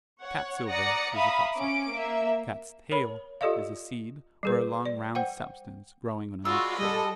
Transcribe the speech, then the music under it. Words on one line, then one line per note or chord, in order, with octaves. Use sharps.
Cat-silver is a fossil. Cat's-tail is a seed or a long round substance growing on a nut-tree.
C#5 F#5
D5 F#5 A#5 D#6 A#6 C#7
E5 F5 A#5 B5 D#6
C#4 D6 D7
A#3 E5
A#4 C#5 B5
F4 G4 A4 D5 D#5 F5
G3 G#4 B4
D5
C5 F#5 G5
G#3 F4 F#4 D5 B5 E6
G3 A4 D#5